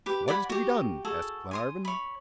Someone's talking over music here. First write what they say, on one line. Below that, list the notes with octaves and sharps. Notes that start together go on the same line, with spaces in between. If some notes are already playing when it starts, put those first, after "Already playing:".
"What is to be done?" asked Glenarvan.
G4 B4
D5 F#5 G#5 B5
F#4 G4
F#4 G#4 A4
G#5 C6 D#6
C#5 B5